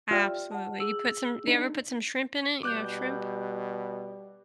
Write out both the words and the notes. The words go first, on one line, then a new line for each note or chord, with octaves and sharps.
Absolutely, you put some you ever put some shrimp in it? You have shrimp?
F4 G4 D5 E5 G5 F6
F#5 A5
G#4 E6 F#7
D4 D#4
B2 G3 D6 F#6 G6